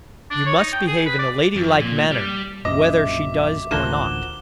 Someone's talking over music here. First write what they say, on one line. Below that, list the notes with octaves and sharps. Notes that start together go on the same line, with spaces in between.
You must behave in a lady-like manner whether she does or not.
D4
C#5
D#4
G5
G#4
B4
D5
F2
A#2
G3
A#1 F#2 D#5 E5 D6
A1 D2 F3 A#3 F#4 E7 G7